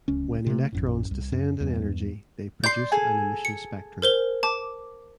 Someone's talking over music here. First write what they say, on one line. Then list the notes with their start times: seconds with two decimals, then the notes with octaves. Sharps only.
When electrons descend in energy they produce an emission spectrum.
0.08 D1 C#2 C#4
0.47 C3 A3
0.72 A#1 F#2 A2
1.11 C2
1.32 F#2
1.61 E2 G2
2.64 D5 C6 G6 C7
2.92 G#4 A4 G#5
3.45 C#7
4.02 A#4 C5 G7
4.43 A5 D6